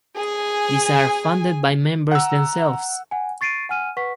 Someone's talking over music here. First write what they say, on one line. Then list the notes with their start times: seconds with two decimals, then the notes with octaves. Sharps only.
These are funded by members themselves.
0.16 G#4 G#5
2.11 F#5 A#5 E6
3.11 F#5 G#5
3.41 C#6 A6 C7 D7 D#7
3.69 F#5 G#5 F6 D#7
3.97 B4 F#5 C#6 B6